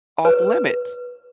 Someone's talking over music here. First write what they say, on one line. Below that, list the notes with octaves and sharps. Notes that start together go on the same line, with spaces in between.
off limits?"
B4